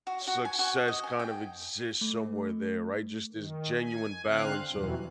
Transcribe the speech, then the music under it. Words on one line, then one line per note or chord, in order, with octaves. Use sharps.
Success kind of exists somewhere there, right, just this genuine balance of
F#4
F#4
G#5
F#4
D#5
G#5
G5
A3
D#3
G#5
D3 C4 F5 F#6
E2 B2 E3 F#3 G3